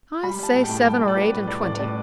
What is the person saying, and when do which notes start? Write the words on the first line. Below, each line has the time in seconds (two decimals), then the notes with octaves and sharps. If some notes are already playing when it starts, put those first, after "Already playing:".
I say, seven or eight and twenty.
0.23 G3 B5
0.39 G3 A5
0.54 A2 A5
0.64 G5
0.69 A2
0.77 A5
0.85 G3 G5
1.01 A2
1.08 D5
1.17 B3 B4
1.33 A2
1.47 A2 D5
1.63 A2 D5
1.75 B4
1.79 A2 D5